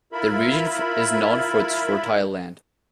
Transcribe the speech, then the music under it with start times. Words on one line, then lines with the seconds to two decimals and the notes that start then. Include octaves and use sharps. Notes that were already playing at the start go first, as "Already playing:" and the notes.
The region is known for its fertile land.
0.12 E4 F4 A#4 E5 B5